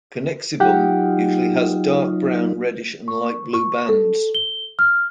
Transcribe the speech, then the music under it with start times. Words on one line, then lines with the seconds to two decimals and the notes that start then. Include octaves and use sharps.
Connexivum usually has dark brown, reddish and light blue bands.
0.60 F#3 D#4 F4 G4 F#5 G5
3.08 C#6
3.54 C#6
3.89 A4
4.35 G7
4.79 F6